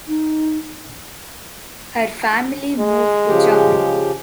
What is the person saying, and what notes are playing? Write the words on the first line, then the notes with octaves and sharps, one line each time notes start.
Her family moved to Germany.
D#4
G#3
C#3 F3 G4